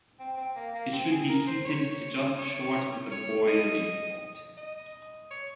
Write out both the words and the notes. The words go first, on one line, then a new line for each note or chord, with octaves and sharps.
It should be heated to just short of the boiling point.
C4
C4
A#3
A#3
C4
G#4
A#4
C5
C#5
C#5
C#5
D#5
D#5
C#5